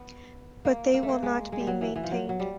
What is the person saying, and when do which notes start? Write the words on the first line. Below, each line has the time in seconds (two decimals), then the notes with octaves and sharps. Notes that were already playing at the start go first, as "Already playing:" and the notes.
But they will not be maintained.
Already playing: B3
0.65 A#3
0.94 A#3
1.03 A3
1.09 A#3
1.23 G#3
1.52 G#3
1.60 G3
1.67 F#3
1.81 E3
1.96 E3
2.03 F3
2.11 F#3
2.29 F#3
2.40 G3